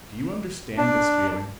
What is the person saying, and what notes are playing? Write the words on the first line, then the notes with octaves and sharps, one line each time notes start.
Do you understand this feeling?
D4